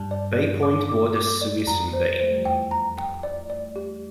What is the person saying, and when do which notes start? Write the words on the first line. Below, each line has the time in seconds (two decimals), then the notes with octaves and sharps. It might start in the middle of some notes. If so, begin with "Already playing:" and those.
Bay Point borders Suisun Bay.
Already playing: G2 G3 A5
0.11 D5
0.37 D5
0.63 D6
0.89 D6
1.16 D6
1.41 D5
1.67 F2 F3 A#5
1.93 C5
2.20 A3 C5
2.31 G3
2.38 F3
2.45 E2 E3 G5
2.71 A#5
2.98 G5
3.23 D5
3.50 D5
3.76 G4